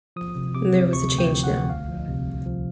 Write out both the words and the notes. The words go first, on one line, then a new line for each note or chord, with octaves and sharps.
There was a change now.
F3 D#6
C3
C3 D6
C3
D2 C#6
D2
G5
F3
F#5
D2
C2 F5
F3
C3
C2
F3